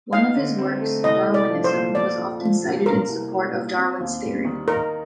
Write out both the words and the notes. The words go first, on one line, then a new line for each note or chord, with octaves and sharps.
One of his works, "Darwinism", was often cited in support of Darwin's theory.
D#4 F5
D3
C4
A3
C2 D#5
C2
D5
F3
C5
A#2
F2 D5
F2
F3
C3
A#3 A#4
C2
G3
A#2
C4
D#2
G3
D#3
D#4 A#4